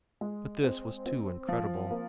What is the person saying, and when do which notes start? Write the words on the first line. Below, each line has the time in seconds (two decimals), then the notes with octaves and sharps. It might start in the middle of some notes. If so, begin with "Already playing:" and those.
But this was too incredible.
0.21 G#3
0.63 C4
1.06 C4
1.49 F3
1.91 A#3